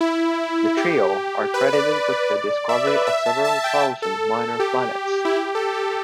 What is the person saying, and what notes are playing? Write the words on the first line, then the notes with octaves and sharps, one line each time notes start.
The trio are credited with the discovery of several thousand minor planets.
E4
G4
B4
D5
E5
B4
E5
A5
A5
G5
A4
G4
E4
G4
A4
G4